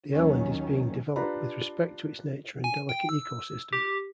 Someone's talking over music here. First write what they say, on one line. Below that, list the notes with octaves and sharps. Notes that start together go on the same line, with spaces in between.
The island is being developed with respect to its nature and delicate ecosystem.
D#2 D#3 F#3 C#4
D4 F4 G4 B4 A#5 B5
G#5
G5
E6
G4